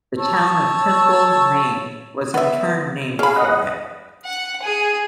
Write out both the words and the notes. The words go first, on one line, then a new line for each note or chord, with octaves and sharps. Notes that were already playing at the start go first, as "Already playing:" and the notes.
The town of Temple, Maine was in turn named for it.
C#5 A5 E6
B3 E5
C#4 G#4 F5 B5
D#5 F#5
F#5
G#4